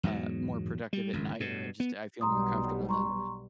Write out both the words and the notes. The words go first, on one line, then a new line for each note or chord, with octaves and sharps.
uh, more productive at night or I just, I feel more comfortable than,
E2 G#2 B2 F#3
G3
G#1 C#2 F#2
G2 B2
B3
B1 B2 G3 A#5 C6 D#6
A#5 C6 C#6